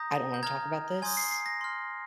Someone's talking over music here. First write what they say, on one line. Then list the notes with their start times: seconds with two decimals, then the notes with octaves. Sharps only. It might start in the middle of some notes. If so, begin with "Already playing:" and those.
“I don't wanna talk about this,”
Already playing: A#5 D#6 G6 A#6
0.34 G6
0.43 A#5 F6 G#6
1.02 G#5 C6 D#6 G6 G#6
1.17 C7
1.31 C7
1.46 A#6
1.61 C6 F6